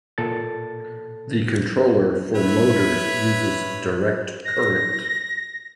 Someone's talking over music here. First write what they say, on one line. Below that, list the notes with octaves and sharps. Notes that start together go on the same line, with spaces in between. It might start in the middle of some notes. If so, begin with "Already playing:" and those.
The controller for motors uses direct current.
A#2 A4 A6
B4 C#5 E5
A#6